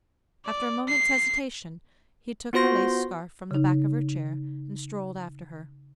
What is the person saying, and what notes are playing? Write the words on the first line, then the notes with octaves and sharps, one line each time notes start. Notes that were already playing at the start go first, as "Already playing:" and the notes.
After a moment's hesitation he took her lace scarf from the back of her chair, and strolled after her.
D5
C7
B3 F4 F#4 C5 C6 A#6
C#3 D#4